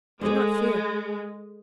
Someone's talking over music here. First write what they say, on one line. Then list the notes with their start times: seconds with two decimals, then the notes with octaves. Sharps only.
Do not fear.
0.21 G#3 A4 C5 D5